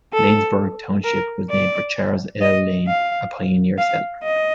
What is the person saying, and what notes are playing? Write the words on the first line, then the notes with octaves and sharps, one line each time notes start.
Lanesburgh Township was named for Charles L. Lane, a pioneer settler.
A4
A#4
D5
D#5
F5
F5
D#5